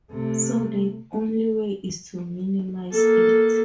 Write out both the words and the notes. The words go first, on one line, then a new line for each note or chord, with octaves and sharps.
So the only way is to minimize it.
C3 A3
A#3 A4